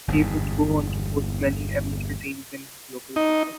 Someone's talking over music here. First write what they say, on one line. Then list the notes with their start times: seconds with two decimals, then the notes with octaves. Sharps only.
He would go on to coach many amateur teams in his local region.
0.08 G1 E2 G#2
3.16 D#4